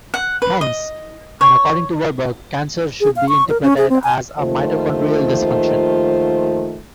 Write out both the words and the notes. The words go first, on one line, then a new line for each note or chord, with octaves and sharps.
Hence, and according to Warburg, cancer should be interpreted as a mitochondrial dysfunction.
F#5
B4
D#5
C#5
G#4
F5
C#6
A#4
C#4
G#4
C4
G#5
D#2 D#3 F3 A3 F4 C5